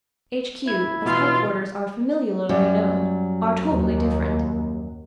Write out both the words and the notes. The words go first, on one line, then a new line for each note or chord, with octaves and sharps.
H. Q.'--as headquarters are familiarly known--are totally different.
E4 G#6
B2 E3 F4
F#2 F#3 G3
D#2